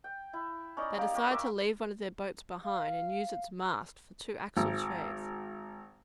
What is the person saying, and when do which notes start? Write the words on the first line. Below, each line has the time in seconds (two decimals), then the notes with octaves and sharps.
They decided to leave one of their boats behind, and use its mast for two axle-trees.
0.04 G5
0.33 E4
0.77 C#4 D#4 D5
0.98 A#3 G4 A#4
1.14 G4 A#4 C#5
1.31 A#4 E5 G#5 D6
2.65 F5
4.57 G#1